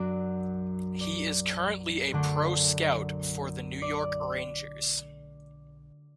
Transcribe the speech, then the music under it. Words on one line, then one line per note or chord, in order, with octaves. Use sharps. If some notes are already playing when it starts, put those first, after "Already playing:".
He is currently a pro scout for the New York Rangers.
Already playing: F#2 F#3 D4 D5
D5
F#2 D3 A3 D4 A4
D5